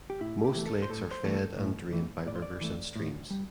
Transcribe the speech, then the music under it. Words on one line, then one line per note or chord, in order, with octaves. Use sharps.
Most lakes are fed and drained by rivers and streams.
G4
A2 E4
G4
E3 A3
A4
C5
A2 A4
C5
E3 A3 A4
A2
E3 A3
A2 D5
C5
D5
E3 A3
A2
G3